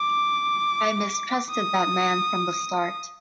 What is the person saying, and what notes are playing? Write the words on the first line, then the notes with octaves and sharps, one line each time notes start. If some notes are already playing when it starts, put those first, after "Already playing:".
I mistrusted that man from the start.
Already playing: D6
D#6